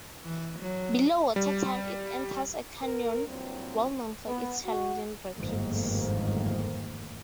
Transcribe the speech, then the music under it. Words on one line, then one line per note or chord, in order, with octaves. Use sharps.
Below Watertown it enters a canyon, well known for its challenging rapids.
E3
F#3
G3
A#4
G2 A#2 E3 F#3 C4
B3
F#4
G1 F2 G#2 D#3 A3 A#3